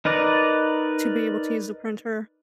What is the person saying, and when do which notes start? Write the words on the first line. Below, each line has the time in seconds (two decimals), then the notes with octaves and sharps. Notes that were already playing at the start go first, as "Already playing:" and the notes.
to be able to use the printer.
0.05 D#4 A#4 B4 D5 D#5